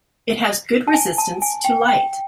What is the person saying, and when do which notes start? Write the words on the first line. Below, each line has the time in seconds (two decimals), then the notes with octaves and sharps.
It has good resistance to light.
0.87 A5
0.94 G#5
1.18 A5
1.42 G#5
1.65 G5
1.88 G5